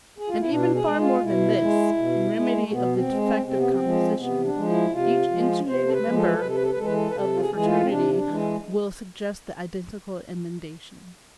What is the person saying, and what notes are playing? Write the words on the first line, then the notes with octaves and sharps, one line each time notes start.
And even far more than this, in remedy of the defective composition, each insulated member of the fraternity will suggest the identical emendation.
G#4
F4
E4
B2 D4
G#4
G#3
F4
B2 E4
G#3
B2
G#3
A3
B2 B3
C4
G#3
C4
C3 C4
B3
C4
F3 G#3
C3 B3
D4
F3 G#3
E4
C3 F4
F3 G#3
C3 C5
A4
B4
F3 G#3
A4
B4
A4
C3 B4
A4
B4
A4
B4
E3 G#3 A4 B4
A4
B4
C3 A4
F4
G#4
E3 G#3 G#4
F4
C4
C3 D4
D4
E3 G#3